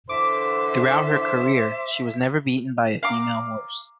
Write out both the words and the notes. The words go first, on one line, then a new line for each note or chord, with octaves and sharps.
Throughout her career, she was never beaten by a female horse.
D3 E3 C5 E5 D6
F5 A#5 D6